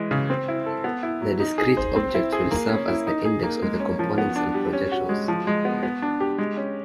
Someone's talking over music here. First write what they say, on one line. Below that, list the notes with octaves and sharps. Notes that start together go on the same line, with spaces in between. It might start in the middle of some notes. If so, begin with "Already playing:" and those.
The discrete objects will serve as the index of the components and projections.
Already playing: E3 G#3
C#3
C4
E4
A4
B3
E4
F#3
D#4
G#4
C5
C4
E4
G#4
A#3
C#4
E4
D#4
G#4
A#3
G#3
C#4
F3
B3
D4
G3
C#4
F#4
G#3
F3
G#3
B3
B3
D4
G4
G#3
C#4